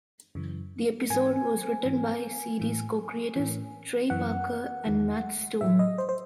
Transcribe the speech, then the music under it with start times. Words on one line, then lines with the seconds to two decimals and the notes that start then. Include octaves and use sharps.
The episode was written by series co-creators Trey Parker and Matt Stone.
0.35 F#2 C#3 E3
1.10 G#2 E3 G#5
1.85 G#2 E3
2.60 A2 E3
3.36 A2 E3
4.10 F#2 E3 F#5
4.86 E2 D#3
5.61 A2 E3 E5
5.79 D#5
5.98 C5
6.09 C5